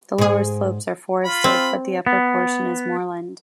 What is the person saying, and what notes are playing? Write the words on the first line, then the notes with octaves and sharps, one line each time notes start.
The lower slopes are forested, but the upper portion is moorland.
G#2 G#4
F4 B5
C4
B3